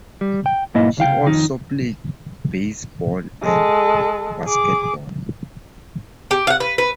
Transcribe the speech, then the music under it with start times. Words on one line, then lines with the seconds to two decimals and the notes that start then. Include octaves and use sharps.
He also played baseball and basketball.
0.21 G3
0.46 G5
0.74 B1 G#2 A#3 E4 D#5
0.97 C2 C#3 F5 G5
1.27 F2 A2 D#3 D#4
3.43 G#3 A4
4.44 G#4 D6
6.31 G4
6.47 F5 F#5
6.60 B4
6.78 B4